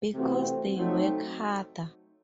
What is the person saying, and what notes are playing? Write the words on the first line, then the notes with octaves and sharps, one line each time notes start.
Because they work harder?
C3 E3 A3 C4 F#4
F#3 A3 C4 D#4